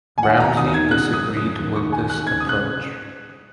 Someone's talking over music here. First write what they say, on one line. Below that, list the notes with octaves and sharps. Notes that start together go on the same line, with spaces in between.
Ramsey disagreed with this approach.
G#5
D#3 F#5
D#2 A#5
D#3 D#6
D#3 G#6
C#3 F#6
F#2
D#6
C#3
D#6
F#2
D#2
D#2 C#6
D#2 G#5
D#2 F#6
C#3 G#6
C#3 D#6
F#6
C#3